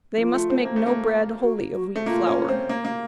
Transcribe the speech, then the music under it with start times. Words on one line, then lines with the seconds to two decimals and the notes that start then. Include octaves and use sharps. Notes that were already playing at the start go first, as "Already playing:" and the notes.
They must make no bread wholly of wheat flour.
0.18 F3 F4
0.34 A3
0.50 C4
0.65 A#3
0.76 A3
0.87 A#3
1.43 F#4
1.75 F#4
1.96 A3
2.06 A#3 F4
2.27 C#4
2.48 C4
2.69 A#3
2.85 A#3